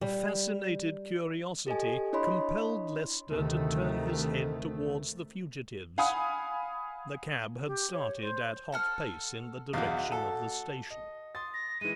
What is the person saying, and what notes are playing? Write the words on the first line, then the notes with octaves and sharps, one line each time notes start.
A fascinated curiosity compelled Lester to turn his head towards the fugitives; the cab had started at hot pace in the direction of the station.
G3
G4 A4 D#5 G#5
D4 E4 C#5 D#5 B5 C6
D2 C3 D#3 A3
F5 F#5 G#5 B5 D#6
G4
C#5
C5
A4 F#5 F6
B1 E2 F#4 D#5 F5
A4
D#5
C6 D#6 A6
A#6
E3 G#3 D#7